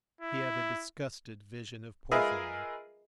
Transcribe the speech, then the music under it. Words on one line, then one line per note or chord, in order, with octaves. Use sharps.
He had a disgusted vision of Porfiry.
E4
F4 G#4 A#4 B4 D#5 E5